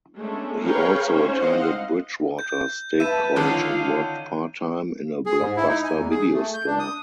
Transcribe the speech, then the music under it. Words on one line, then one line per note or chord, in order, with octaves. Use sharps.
He also attended Bridgewater State College and worked part-time in a Blockbuster video store.
G#3 A3 B3 C#4 D4
G#4 A#4 B4 C#5 F5 G5
C#4 D#4 C5 C#5
C4 D#5 F5 F#5
G6
B4 E5 A5 D#7
D3 D#3 C#4 F4 F5
G#4
G#2
E4
D#4
G#5
E2
G#4
A3
G6
D4
D#6